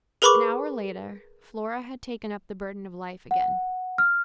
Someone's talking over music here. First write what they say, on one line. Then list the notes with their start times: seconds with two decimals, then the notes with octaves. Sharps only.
An hour later Flora had taken up the burden of Life again.
0.22 G#4 A#4 B4 B5 C#6 D6
3.31 F#5
3.98 F6